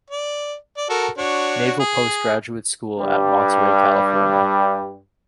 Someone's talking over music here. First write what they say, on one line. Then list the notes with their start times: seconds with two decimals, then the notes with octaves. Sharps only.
Naval Postgraduate School at Monterey, California.
0.10 D5
0.77 D5
0.90 F#4 A4 A#4
1.18 D4 F#4 C#5
1.80 G#4
3.00 G2 G3